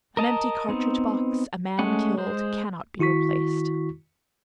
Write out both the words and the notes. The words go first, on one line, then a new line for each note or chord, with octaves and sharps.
An empty cartridge-box, a man killed, cannot be replaced.
A#4 D#5 A5 A#5
B3 C4 D#4
G#3 A3 C#4 F#5
G#3 C5
D#3 E4 F#4 C#6 B6